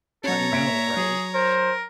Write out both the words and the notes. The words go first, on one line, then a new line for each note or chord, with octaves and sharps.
I know, right?
F#3 C#4 A4 C#5 A#5
A#2 E5 G#6 D7
F#3 G#4
A#4 C5